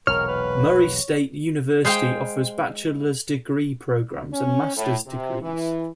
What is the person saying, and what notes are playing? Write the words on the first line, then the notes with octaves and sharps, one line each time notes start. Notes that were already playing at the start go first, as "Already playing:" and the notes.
Murray State University offers bachelor's degree programs and master's degrees.
E1 B1 A#2 A#4 C#5 F6
B4
G#3 C5 F5 G5
C#4
A2
C3
E3